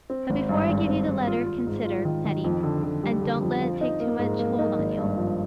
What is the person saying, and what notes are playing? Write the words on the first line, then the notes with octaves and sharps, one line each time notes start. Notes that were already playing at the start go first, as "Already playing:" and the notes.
But before I give you the letter, consider, Hetty, and don't let it take too much hold on you.
C4
G#1
G2
G#1
C4
G#1
F4
F4
G#2
F4
D#3
D#3
F2
D3
D3
G3
D3
F2
F3
D#4
A#3
G#2
A#3
D#4
G#1
G2
F3